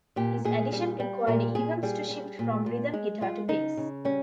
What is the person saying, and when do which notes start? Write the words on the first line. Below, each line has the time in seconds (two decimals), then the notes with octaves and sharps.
His addition required Evans to shift from rhythm guitar to bass.
0.16 A#2 G4
0.45 A#2 G#4
0.73 G3
1.00 G3
1.27 A#2 A#4
1.55 A#2 G#4
1.83 G3 G#4
2.10 G3
2.39 A#2
2.66 A#2
2.94 G#3
3.21 G#3 F4
3.48 C#3 D#4
3.77 C#3
4.05 G3 C#4